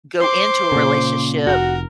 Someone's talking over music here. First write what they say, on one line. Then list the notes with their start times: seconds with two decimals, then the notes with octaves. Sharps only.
go into a relationship,
0.20 C5 C6 D6
0.72 A#2 C#3
1.47 F1 F#4 A#4